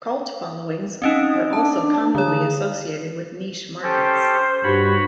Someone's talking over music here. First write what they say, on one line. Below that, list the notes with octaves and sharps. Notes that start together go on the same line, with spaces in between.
Cult followings are also commonly associated with niche markets.
C4 C#4 D#4 D#5
D4 A5
D3 G#4 C#5
C#4 G4 A4 C5
G2 F#4 C#5 B5